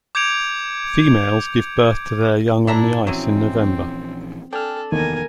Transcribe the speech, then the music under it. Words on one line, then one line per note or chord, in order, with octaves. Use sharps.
Females give birth to their young on the ice in November.
D6 G6 G#6 C#7 D7 F7
G#2 D4 E4 E5 A#5
A#1 E3 F#3 C4 C#4 E4 D#5
D4 A4 G5 G#5 F6
F1 D#2 D#3 E3 B3 A#4 G#5